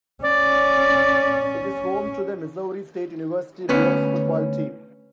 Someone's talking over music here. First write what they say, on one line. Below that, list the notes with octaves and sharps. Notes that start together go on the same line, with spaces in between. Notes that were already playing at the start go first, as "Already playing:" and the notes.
It is home to the Missouri State University Bears football team.
C#4 D5
D2 B3 C#4